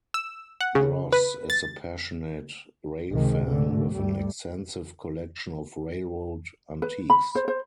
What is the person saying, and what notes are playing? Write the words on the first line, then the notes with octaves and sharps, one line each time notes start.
Gross is a passionate railfan with an extensive collection of railroad antiques.
E6
F#5
C#3
B4
A6
C#2 G#2 C3 D#3 G#3
G#2 D3 A3
D2 G2 G3 A3
B4
B5
C5
C5